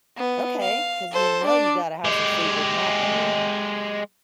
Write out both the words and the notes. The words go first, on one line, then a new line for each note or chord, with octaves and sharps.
Okay, 'cause you know you gotta have some Fleetwood Mac. I mean,
B3
F5
A4 C5
D4 D5
G#3 G4